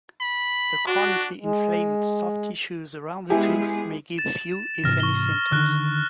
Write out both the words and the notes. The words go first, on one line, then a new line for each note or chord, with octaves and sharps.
The chronically inflamed soft tissues around the tooth may give few if any symptoms.
B5
D4 F#4
G#3
G#3 B3 E4 G4 G#4 G#5
A6 E7
G#2 C3 E3 F6 A#6
C#6 G7
D3 D#3 F6 F#6